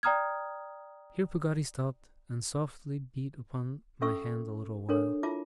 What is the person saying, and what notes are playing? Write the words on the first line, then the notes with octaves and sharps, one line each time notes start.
Here Peggotty stopped, and softly beat upon my hand a little while.
D5 G5 A#5 D#6 F6 G#6
C#4 A4 E5 C#6 E6
D4 A4 A#4 C#5
E4 F4 E5 A5 D6